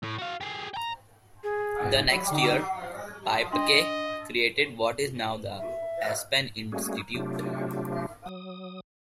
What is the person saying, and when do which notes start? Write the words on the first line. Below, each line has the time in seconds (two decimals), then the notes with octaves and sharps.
The next year, Paepcke created what is now the Aspen Institute.
0.03 A2
0.19 F#4 F5
0.41 G4 G#4
0.74 G5 A#5
1.43 G#4
1.84 G#2
2.12 F#3 B5
2.31 D3 D#4
3.52 D4 D#5 C6
5.58 E5
6.72 G3 A3 A#3 C#4 F#4 G#4
7.14 C3 F#3 A3 D4 F4 G4
8.26 F#3 D#6